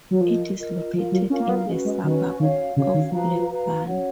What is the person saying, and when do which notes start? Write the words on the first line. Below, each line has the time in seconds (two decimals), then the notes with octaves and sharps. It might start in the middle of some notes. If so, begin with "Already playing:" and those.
It is located in the suburb of Blackburn.
0.11 F#3
0.21 F3 F4 A#4 D#5
0.57 F4 A#4 D#5
0.93 F3 F4 A#4 F5
1.12 F#3
1.30 C#4 F4 A#4 F5
1.40 A#3
1.49 B3
1.67 G#3 C#4 F#4 B4
1.85 G#3
2.03 D#3 C#4 F#4 B4
2.39 D#3 C#4 F#4 C#5 F5
2.76 C#3 C#4 F#4 C#5 F5
2.94 D#3
3.12 F3 F#4 B4 F5 A#5
3.49 F#4 B4 F5 A#5
3.85 C#4 F#4 C#5 F#5